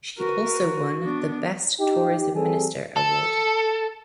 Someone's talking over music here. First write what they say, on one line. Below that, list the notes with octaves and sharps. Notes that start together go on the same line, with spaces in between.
She also won the "Best Tourism Minister" award.
F#4 A#4 B4
B3 D4
D#4 G4
G3 C4 G#4 A4
A4